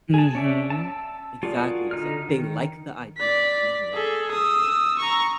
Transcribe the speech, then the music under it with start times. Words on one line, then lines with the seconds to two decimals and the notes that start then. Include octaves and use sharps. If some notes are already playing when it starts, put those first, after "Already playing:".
Mhm, exactly, it's like they like the idea of being liked,
0.14 G#4 A5
0.35 C#4 D5 E5
0.70 A5 E6
1.43 F4 F#4 G#4 A#4 D5
1.91 D3 D#4 F6
2.29 D#3
3.17 D5 B6
3.93 G#4 A4
4.31 D#6 E6
4.98 A#5 C#6